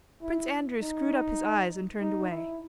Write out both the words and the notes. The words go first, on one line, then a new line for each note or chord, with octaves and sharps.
Prince Andrew screwed up his eyes and turned away.
E4
D#4
D#4
E4